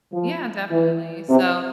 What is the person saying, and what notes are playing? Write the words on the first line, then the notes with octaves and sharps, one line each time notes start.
Yeah, definitely, so.
F3
E3
C3